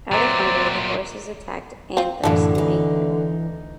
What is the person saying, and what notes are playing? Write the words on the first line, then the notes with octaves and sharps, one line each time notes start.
Out of hunger, the horses attacked Anthus and ate him.
A#2 F#3 C4 D5 E5 A#5
C4 F4
F#2 A2 D3 E3 E4 F4 A4
D2 E3 D#4